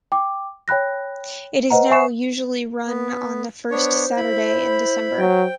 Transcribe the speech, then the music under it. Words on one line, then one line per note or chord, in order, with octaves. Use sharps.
It is now usually run on the first Saturday in December.
G5 D6
C#5 G5 B5 F#6 A#6
B4 C5 D#5 F#5 A#5
C5 E5 G#5 C#6 C7 E7
B3
B3 D4 C5 C#5
E4 B5
F#3 G5